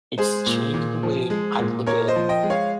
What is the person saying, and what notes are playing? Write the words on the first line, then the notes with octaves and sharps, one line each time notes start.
it's changed the way I'd look at
G#3 G#4 C5
A#2
A#2
F3
G#3
A#2
A#2 A#4 C#5
C5 D#5
F3
D#5 G5
G#3
C#5 F5